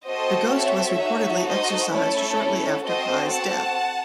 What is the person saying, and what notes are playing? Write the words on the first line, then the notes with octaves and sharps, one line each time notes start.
The ghost was reportedly exorcised shortly after Pye's death.
C4 F#4 A4 C5 D#5
C#5 E5
D#4 F#4 A4
C5 D#5
A3 C#4 E4 A4 C#5
C4 F#4 A4 C5 D#5
F#5 A5